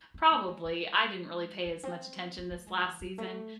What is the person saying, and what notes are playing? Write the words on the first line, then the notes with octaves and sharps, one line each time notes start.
Probably I didn't really pay as much attention this last season
C4
A3
G#3
G#3
G#3
C4
C4
A3
G#3
E3
F#3
A3